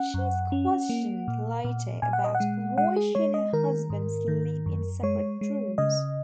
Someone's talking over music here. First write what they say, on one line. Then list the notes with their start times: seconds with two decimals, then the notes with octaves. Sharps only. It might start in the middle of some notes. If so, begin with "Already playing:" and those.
She is questioned later about why she and her husband sleep in separate rooms.
Already playing: C#4 F#5
0.14 F#2
0.52 C#4
0.89 A#3
1.28 A#2
1.64 A#2
2.02 A#2 G#5
2.13 F#5
2.24 D#5
2.35 F#5
2.40 G#3
2.78 G#3 F#5
2.96 G#4
3.15 G#3 C#5
3.34 D#5
3.53 D#3 A#4
3.90 G#2
4.28 D#3
4.66 F#2
5.03 G#3 C#5
5.41 G#3
5.78 C#3 D#5